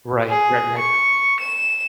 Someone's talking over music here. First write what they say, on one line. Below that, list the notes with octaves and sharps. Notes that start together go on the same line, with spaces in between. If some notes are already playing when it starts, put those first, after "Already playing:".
Right. Right. Right.
G#4
C#6
E7